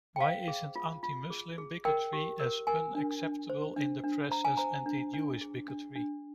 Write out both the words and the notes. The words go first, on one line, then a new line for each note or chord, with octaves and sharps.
Why isn't anti-Muslim bigotry as unacceptable in the press as anti-Jewish bigotry?
G5
C5 F5
G#4
F4
F4
G#4
G#4
A#4 G5
G4
A#4
A#4 G#5
D4
D4
C5
D4
D4
C5 A#5
G#5
C5 A#5
D4
D4
G#4
D4
D4